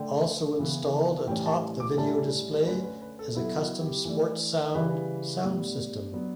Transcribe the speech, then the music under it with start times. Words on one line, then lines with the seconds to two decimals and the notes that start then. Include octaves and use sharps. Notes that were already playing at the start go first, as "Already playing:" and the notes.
Also installed atop the video display is a custom Sportsound sound system.
Already playing: D3 A3 D4 G5
0.59 C#3 E3 B3 E4
1.28 A2 E3 G3 C#4 G5
1.46 A5
1.80 D6
1.97 A2 G3 C#4 E4 A5
2.66 D3 A3 C#4 B4
2.83 B4
3.01 B4
3.19 A4
3.35 F#3 B3 E4 A4
3.58 F#4
3.81 G4
4.05 E3 A3 D4
4.74 C#3 E3 G3 B4
5.43 A2 G3 B3 D4
6.12 F#3 B3 D4